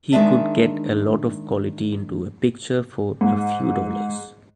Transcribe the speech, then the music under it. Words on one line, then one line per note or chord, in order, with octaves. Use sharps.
He could get a lot of quality into a picture for a few dollars.
D#3 G#3 D4 D5 E5 A5
G#2